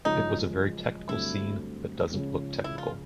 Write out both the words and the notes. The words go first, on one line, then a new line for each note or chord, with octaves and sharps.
It was a very technical scene that doesn't look technical.
F#1 F#2 C#3 F3 G#3 D#4
G2 D3 F#3 A3 C4 E4
C#2 C#3 F3
E4
F4